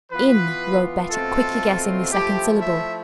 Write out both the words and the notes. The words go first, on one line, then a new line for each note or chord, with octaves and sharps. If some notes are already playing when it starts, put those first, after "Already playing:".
"Inn" wrote Betty, quickly guessing the second syllable.
E3 B3 F4 B4
B2 A3 C4 F4 A4
F3 A3 E4 G4
E5